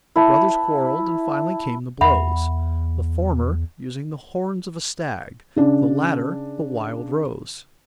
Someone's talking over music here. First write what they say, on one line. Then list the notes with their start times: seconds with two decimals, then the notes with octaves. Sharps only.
The brothers quarrelled, and finally came to blows; the former using the horns of a stag, the latter the wild rose.
0.16 E4 B4 A5
2.01 E2 E5 F#5 B5
5.56 C#3 D4